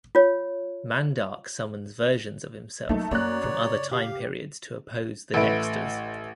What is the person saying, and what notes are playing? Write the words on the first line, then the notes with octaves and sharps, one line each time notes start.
Mandark summons versions of himself from other time periods to oppose the Dexters.
F4 C#5
F#3 A3 A#3 D#4
F#2 A#3 C#5 D5 F#6
C#3
G4 F5
A1 A3 E4 B4 D7